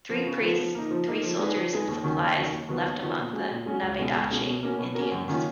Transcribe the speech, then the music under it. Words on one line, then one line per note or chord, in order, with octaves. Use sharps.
Three priests, three soldiers and supplies left among the Nabedache Indians.
F3 B3 F4
C#3
F3 B3 F4
F3
A#3 D#4
F3
A#3 D#4
F3
G#3 D#4 G#4 B4
F3
G#3 D#4 G#4 B4
D#2
D#3 F#3 C#4
D#2
D#3 F#3 C#4
D#2
D#3 F#3 B3 F4
D#2
D#3 F#3 B3 F4
A#2
G#3 C#4 F#4
A#2
G#3 C#4 F#4
C#2
B2 G#3 C#4
C#2
B2 G#3 C#4
B2
A#3 C#4 F#4 A#4
B2
A#3 C#4 F#4 A#4
F#2
D#3 A#3 C#4 F4